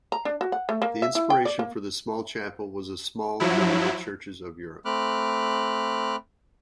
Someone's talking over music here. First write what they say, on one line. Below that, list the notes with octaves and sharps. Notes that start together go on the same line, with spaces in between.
The inspiration for this small chapel was the small medieval churches of Europe.
A#5
D4
F#4
F#5
A3
A#3
E5
E4
G5
D5
A#3
F3 F#3 E4
A3 C4 B5 D6 F6 F#6